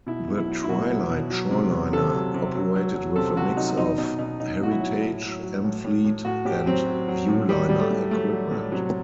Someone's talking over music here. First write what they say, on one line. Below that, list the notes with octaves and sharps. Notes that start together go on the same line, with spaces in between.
The "Twilight Shoreliner" operated with a mix of Heritage, Amfleet, and Viewliner equipment.
B2 E4
B2
E4
F#3
E4
B2 F#4
F#3
B2
F#3
C3
F#3
C3 A4
F#3
C3
F#3
F#3
F#3
C3 A4
C3 F#4
F#3 D#4
B2 D#4
B2 D#4
B2 D#4
F#3 D#4
B2 F#4
E4
F#3
A2
F#3
F#3
A2
A2
A2
A2 F#4
A2 G4
F#3 C4
F#3
F#3
A2
F#3 G3
A2 G3
A3
A2
F#3 A3
F#3
A2
C3 F#3